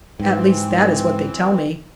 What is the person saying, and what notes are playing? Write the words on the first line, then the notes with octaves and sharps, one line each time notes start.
At least that is what they tell me.
G#2 E3 C4